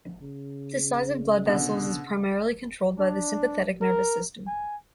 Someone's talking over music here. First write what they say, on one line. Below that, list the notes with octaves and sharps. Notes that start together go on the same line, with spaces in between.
The size of blood vessels is primarily controlled by the sympathetic nervous system.
C#3
B2 D3
D4
A#4
G#5